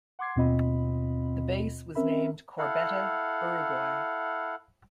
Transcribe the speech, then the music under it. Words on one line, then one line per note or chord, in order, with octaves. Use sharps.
The base was named Corbeta Uruguay.
F#5 C6 D6 G#6 C7
D#2 B2 C4 F4 D#5 B5
C4 C#4 A#4 E5 B5
E4 A4 F5 F#5